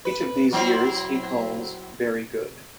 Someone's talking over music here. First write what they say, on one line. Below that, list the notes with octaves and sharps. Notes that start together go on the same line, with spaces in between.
Each of these years he calls "very good".
B4
F#3 C4 E4